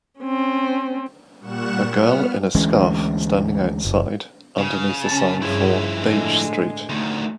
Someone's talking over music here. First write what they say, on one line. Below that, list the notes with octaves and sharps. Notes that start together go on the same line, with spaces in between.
A girl in a scarf standing outside underneath a sign for Bage street.
C4 C#4
A#2 G3 F#5 C#6 F#6 E7
B3 F6
D2 E3 G#3 C#4
F#1
C#3
C#4 A5 A6
G2 C#3 F3 E4
A2 D3 G#3
D2 D#3 A3